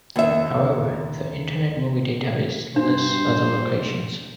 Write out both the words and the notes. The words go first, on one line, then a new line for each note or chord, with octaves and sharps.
However, the Internet Movie Database lists other locations.
D#2 E5
G2 D4 C5